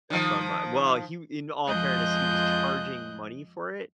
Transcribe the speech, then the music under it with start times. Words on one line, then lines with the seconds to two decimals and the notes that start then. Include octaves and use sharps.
uh uh, from, uh well, he w in all fairness, he was charging money for it,
0.10 D#3 F3
1.67 F2 F3 G#3 D#5 F#6 G6